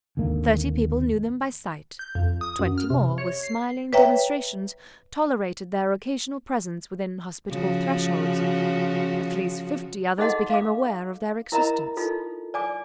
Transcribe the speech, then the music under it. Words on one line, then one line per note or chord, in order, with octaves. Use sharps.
Thirty people knew them by sight; twenty more with smiling demonstrations tolerated their occasional presence within hospitable thresholds; at least fifty others became aware of their existence.
G#1 D#2 D3 A#3
G6
F2
D#6
F#2
F6
C3
C#5
C7
B4 C#5 E5 G5 A#5
C#3 F3 F#4
D#4 G#4 A4 D#5 F#5 C6
F5 D6
E4 A#4 D#5 E5 A#5 B5
D#4 F4 A4
D5 G#5 D6